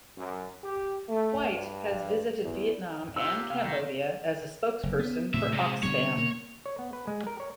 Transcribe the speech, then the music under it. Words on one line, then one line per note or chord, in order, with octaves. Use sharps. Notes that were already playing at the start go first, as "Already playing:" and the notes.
Whyte has visited Vietnam and Cambodia as a spokesperson for Oxfam.
F#2
G4
A3
G2
E2
C3 F4 E6
C3 F5
D#3 A#3
F#1
B3
A2 C3 E5
C3 G#3
B2 D3 G3 C#5
A#3
C#5
B3
B4
G#3
A#4
C#5